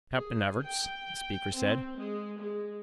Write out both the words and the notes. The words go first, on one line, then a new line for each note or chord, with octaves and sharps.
"Captain Everts," the speaker said.
G#4
G5
C4
G#3
G#3